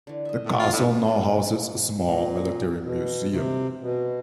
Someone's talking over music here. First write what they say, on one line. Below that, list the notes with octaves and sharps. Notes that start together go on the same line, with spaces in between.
The castle now houses a small military museum.
D3 E3
D#5 E5
A2
F4
A2 D4 D#4
A#2
B2
C3
B2